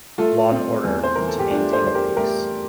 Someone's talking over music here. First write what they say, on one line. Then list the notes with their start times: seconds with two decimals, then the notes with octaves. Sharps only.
Law and order to maintain the peace.
0.18 A3 F4 A4
0.52 C4
0.84 E2
1.03 C5
1.16 E3 A#4
1.27 A4
1.39 G4
1.51 A3 D4 F4
1.73 A4 C5
1.84 E2 C5
1.95 G4 A#4
2.17 A3 G4 A#4